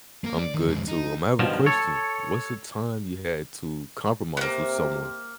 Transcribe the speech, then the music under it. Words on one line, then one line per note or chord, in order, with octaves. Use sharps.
I'm good too, um, I have a question. What's a time you had to compromise with someone?
A#3 A#4
D5
D#3
F2 G#3
D#4
G2 B2 D#3 F3
A4 C#5
C3 A#3 B3